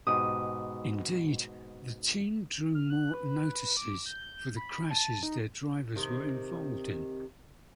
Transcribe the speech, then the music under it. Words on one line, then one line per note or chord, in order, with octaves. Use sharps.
Indeed, the team drew more notices for the crashes their drivers were involved in.
G#2 B2 G4 D#6
F6
F#6
B4
D6
G6
B5
A5
D#4
C3 D#3